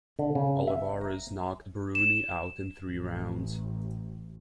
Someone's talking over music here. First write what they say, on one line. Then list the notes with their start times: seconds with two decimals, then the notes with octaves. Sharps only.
Olivares knocked Burruni out in three rounds.
0.19 D3
0.35 C#3
0.68 E5
1.01 A#5
1.95 E7
2.86 A1